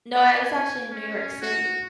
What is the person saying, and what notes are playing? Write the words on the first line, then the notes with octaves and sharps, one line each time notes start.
No, I was actually in New York City.
D5
G#5
C#4
F#4